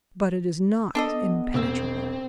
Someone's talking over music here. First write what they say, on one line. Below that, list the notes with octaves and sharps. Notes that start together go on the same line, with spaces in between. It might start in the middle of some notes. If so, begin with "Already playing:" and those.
But it is not impenetrable.
B3 D4 A4 D#5
E1 C4 E6